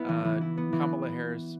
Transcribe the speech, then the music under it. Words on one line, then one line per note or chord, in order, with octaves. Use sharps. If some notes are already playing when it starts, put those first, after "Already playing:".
uh, Kamala Harris,
Already playing: B3 E4
E3
E3
E4
B3
E3